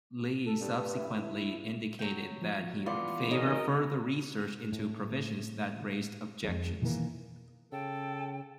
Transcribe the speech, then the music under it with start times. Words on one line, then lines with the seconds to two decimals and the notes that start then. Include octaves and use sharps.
Leahy subsequently indicated that he would favor further research into provisions that raised objections.
0.46 A4
0.60 G2
0.94 E4
1.99 F#3 G5
2.42 F3
2.86 E3 G#3 B3 F4 D5
3.31 G#3 D#4 F#4 A#4 C#5 D#5
4.72 A2
6.44 F2 G#3
6.82 B2 D#3 E3 A#3
7.72 C#3 A4 G5